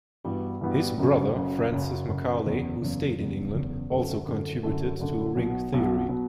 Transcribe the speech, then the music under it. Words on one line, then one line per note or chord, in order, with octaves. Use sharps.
His brother Francis Macaulay, who stayed in England, also contributed to ring theory.
G2 E3 G3 B3 F#4
G2 E3 G3 B3 F#4
F#1 F#2 C#3
F#1 F#2 C#3
F#1 F#2 C#3
F#1 F#2 C#3
F#1 E2 C#3
F#1 E2 C#3
F#1 E2 C#3
F#1 E2 C#3
F#2 D3 A3
F#2 D3 A3
F#2 D3 A3
F#2 D3 A3
B1 B2 F#3
B1 B2 F#3
B2 F#3